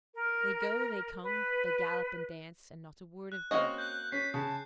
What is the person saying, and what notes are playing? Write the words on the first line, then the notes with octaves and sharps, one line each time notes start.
They go, they come, they gallop and dance, and not a word of death.
A#4
B4
F#6
A#3 C4 C#4 F#4 D#5
F#6 G6
C#4 B6 C7
C#3 A5